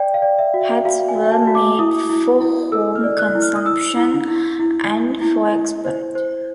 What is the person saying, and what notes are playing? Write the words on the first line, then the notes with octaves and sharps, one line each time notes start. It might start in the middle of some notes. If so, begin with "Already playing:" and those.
Hats were made for home consumption and for export.
Already playing: D5 G5
F5
D5
E5
F#4
E5
F#4 F5
G#5
F#4
A5
F#4
D6
E4 D#6
E4
E4
A4 E6
F6
D5
F#6
E4
F6
D#6
E4 E6
E4
E4
E4
E4
E4
E4
C5
C5